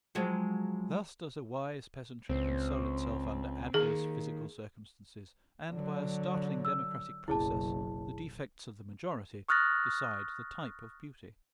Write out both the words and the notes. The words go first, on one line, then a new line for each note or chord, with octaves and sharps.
Thus does a wise peasantry console itself under adverse physical circumstances, and, by a startling democratic process, the defects of the majority decide the type of beauty.
F3 F#3 G#3
C#2 C4
D#3 A#3 G#4
D3 F#3
E6
F#1 B1 E4 G#4 A5
C#6 D#6 F6 F#6 A6 A#6